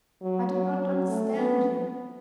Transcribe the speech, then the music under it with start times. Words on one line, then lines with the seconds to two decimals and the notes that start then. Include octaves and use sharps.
I did not understand you.
0.22 F#3
0.50 F#3
0.80 F#3
1.08 A3
1.37 B3